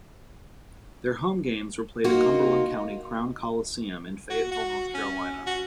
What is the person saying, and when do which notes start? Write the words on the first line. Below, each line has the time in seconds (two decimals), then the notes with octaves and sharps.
Their home games were played at Cumberland County Crown Coliseum in Fayetteville, North Carolina.
2.04 A#3 D#4 F4 F#4
4.30 F#4
4.52 F#4
4.95 C#4
5.47 F#4